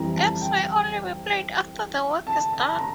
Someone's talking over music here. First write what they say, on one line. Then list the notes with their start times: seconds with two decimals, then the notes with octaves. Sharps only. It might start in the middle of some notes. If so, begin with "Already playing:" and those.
Games may only be played after the work is done.
Already playing: F2 E3 G3 A#5
0.16 A5
0.42 G5
2.27 A5
2.53 A5
2.79 A#5